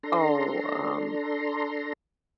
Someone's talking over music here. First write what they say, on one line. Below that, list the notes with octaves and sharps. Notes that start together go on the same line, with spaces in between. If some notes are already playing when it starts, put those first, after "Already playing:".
"Oh, um,
D4 A4 A#5 C6